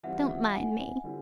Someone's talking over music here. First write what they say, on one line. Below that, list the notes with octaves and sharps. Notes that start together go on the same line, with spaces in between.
"Don't mind me."
E3 G3 C4 F4 E5 F#5
E5 F#5
F#5 G#5
D3 G3 C4 E4